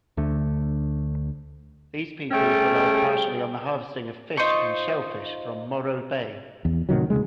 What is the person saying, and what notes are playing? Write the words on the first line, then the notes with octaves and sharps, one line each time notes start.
These peoples relied partially on the harvesting of fish and shellfish from Morro Bay.
D2 D3 A3
C3 G3 A3 C#4 G#4 G5
D#4 F4 C5 C#6
E2
A2 C3 D#3 F#3
D#1 C#3 G#3